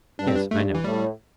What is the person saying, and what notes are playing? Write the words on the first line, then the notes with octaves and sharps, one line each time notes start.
Yes, I know.
G2 D4
C4
D4
G2 A3
E3
A2 G3